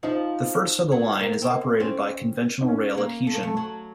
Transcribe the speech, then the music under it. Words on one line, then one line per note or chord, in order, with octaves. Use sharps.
The first of the line is operated by conventional rail adhesion.
F3 D#4
F#3
A#3
C4
A#3
C4 C#4
D#4
C#4
A#3
A3
A#3
A3
F#3